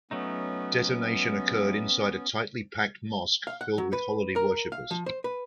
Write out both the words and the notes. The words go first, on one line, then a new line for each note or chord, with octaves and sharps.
Detonation occurred inside a tightly packed mosque, filled with holiday worshippers.
F#3 A3 B3 C#4 D#4
F5
F#5
F#3
B4
A#4
F5
F3
C5
B4